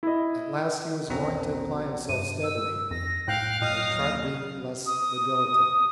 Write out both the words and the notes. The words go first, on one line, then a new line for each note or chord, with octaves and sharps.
At last he was going to apply himself steadily and try to be less the dilettante.
E4 D#5
A#1 E2 B2 C4 C#4 A#5
G2 C3 D#7
E6
F2 A#6
B1 A2 F5 G5 F#6
A1 F#2 A#2 D#5 D#6 F6
D#2 F#3
D#6